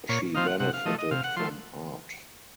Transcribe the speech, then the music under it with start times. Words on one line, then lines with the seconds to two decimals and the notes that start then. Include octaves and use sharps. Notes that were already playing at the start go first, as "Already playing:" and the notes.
She benefited from Art.
0.09 A#2 C#5
0.34 F3 C4 D#4 F5
0.47 F#5
0.60 C3 F#5
0.74 F5
0.85 F3 A3 D#5
0.98 D#5
1.11 C3 F5
1.24 F#5
1.36 F3 A3 C6